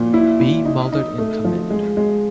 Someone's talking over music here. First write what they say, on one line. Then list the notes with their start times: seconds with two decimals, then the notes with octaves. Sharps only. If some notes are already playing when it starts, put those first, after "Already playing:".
B. Mallard in command.
Already playing: A#2 F3
0.14 E4
0.40 E4
0.65 D#4
0.92 D#4
1.18 A3
1.44 F3
1.70 G#3
1.97 G#3